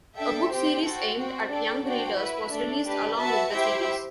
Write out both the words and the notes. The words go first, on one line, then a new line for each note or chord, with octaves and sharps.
A book series aimed at young readers was released along with the series.
D4 A4 E5 G5
C4 G4 C5 G5
F#4 A4 C5 G5
C4 F#4 C5 G5
D4 A4 D5 G5
D4 F#4 C5 G5
E4 B4 E5
A3 D4 A4
D4 G4 B4
F#4 B4 E5 A5
E4 G4 C5 E5 G5